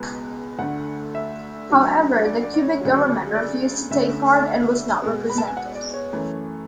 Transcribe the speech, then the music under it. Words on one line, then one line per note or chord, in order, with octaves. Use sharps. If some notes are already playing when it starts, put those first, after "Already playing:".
However, the Quebec government refused to take part and was not represented.
Already playing: C#2 B2 G#3 B3
D2 D3 A3 F#5
E5
D2 D3 F#3 C#4
D5
D5
D5
C#5
D2 C#3 F#3
D5
D2 D3 A3 C#4 E5
B2 G#3 B3
B5
A5
G#5
F#5
D5
C#5
F#2 E3 A3